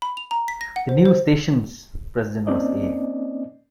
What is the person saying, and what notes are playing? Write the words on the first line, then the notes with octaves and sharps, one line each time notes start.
The new station's president was A.
B5
F7
A#5
B6
A#6
F#5
C5
C5
A#3 C4 C#4 D#4 D5 D#5